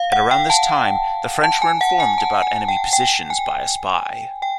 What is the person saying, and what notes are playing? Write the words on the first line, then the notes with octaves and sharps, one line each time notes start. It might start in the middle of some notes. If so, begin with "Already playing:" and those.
At around this time, the French were informed about enemy positions by a spy.
Already playing: F5
F#5
G5
A5
A5
G#5
F#5
G#5
A5
G#5
G5
G5
G#5
G5